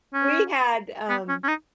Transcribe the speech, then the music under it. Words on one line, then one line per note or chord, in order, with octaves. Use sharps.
We had, um
C#4
B3
C#4
C#4
D#4